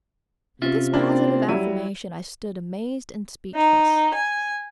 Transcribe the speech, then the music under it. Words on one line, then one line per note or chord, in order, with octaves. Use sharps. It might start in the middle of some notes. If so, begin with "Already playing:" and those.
At this positive affirmation I stood amazed and speechless.
C3 C#4 F4 E5
A#3 C4 D4 E4
F#3 G3 E4 D#7
D#4
G#5